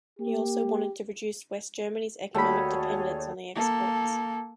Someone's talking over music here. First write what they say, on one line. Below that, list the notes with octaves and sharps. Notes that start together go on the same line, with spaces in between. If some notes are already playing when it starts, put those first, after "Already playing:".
He also wanted to reduce West Germany's economic dependence on the exports.
A#3 G4
D#2 A3 F#4 G#4 C#5 D5 B5
A#3 A4